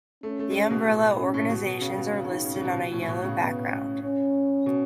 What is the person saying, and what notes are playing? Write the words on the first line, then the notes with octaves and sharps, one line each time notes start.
The umbrella organizations are listed on a yellow background.
A3 C#4
A3
G#3
A3
B2
A2
B2
C#4
A2
B2
B2
C#3
B2
C#3
C#3
D#3
C#3
C#3
B2
B2
A2
A2
B2
C#3
B3
C#4
C#4
B2